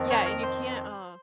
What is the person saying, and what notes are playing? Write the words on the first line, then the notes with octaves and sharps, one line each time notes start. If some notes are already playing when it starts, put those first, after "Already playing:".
Yeah, and you can't, uh
Already playing: F2 D#3
C#5
A#4
C5